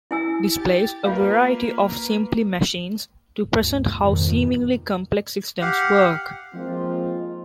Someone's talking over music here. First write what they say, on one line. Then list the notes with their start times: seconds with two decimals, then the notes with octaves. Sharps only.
Displays a variety of simply machines to present how seemingly complex systems work.
0.11 E4 G#5 E6
0.55 G4 A6
1.05 A#3 F4 B4 F5
3.55 G1 D2
3.98 F2 G#2 B2 D#3 F3
5.61 G4 F5 F#5
6.54 F3 G#3 A#3 C4 D#4 F4